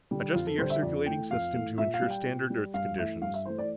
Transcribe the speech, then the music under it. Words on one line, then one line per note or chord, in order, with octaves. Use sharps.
"Adjust the air circulating system to ensure standard Earth conditions."
D3 G3
F2 F4
A4
D3 G3 C5
E5
F2 D5
E3 A3 G5
F2 F5
E3 A3
A#2 E5
F5
G3
G5
A#2
G3
G2 F5
E3 A3 E5
G2 F5
E5
E3 A3 C5
D5